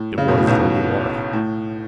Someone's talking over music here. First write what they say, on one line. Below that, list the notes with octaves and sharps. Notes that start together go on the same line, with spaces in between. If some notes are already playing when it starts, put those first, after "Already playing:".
"It was Lady Laura."
Already playing: A2
C#3
B2
A2
B1 B2
A2